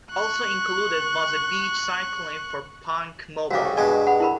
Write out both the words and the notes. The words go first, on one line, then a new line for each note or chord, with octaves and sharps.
Also included was a beach-side clip for Punkmobile.
C#6 F#6
C2 C#3 F#4 F5 D6
G4
G2 B2 G#3 D5 D#5 G#5
F#5 B5
E4 A#4 B5